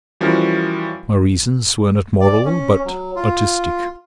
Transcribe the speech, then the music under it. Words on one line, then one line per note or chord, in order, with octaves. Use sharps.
My reasons were not moral but artistic.
E3 F3 G3 C#4 F#4 A#4
D5
C#4
F#3
F4